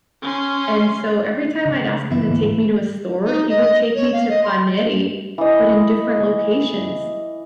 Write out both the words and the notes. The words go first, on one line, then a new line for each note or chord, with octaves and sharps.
and so every time I'd ask him to take me to a store, he would take me to Paneri, but in different locations,
C#4 C6
C#3 F3
E3 E5
D1 G#2 A#3
D#4
D#5
C#5
F5
D#5
C6
E3 D#5